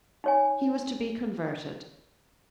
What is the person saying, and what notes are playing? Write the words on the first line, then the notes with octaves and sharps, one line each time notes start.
He was to be converted.
D#4 C#5 G#5